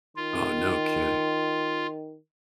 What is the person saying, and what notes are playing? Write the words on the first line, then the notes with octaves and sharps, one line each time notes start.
Oh, no kidding,
D#3 F4